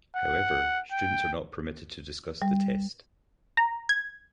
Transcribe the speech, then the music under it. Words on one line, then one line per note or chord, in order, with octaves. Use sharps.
However, students are not permitted to discuss the test.
F#5
G5
G3
A#5
G#6